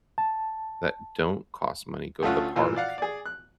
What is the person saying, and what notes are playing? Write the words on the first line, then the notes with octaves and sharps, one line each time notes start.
that don't cost money; go to the park,
A5
D2 A3 C#4 F4 F#5
A#2 E3 F4
D5 F5 F#5
G#4 D5
F#6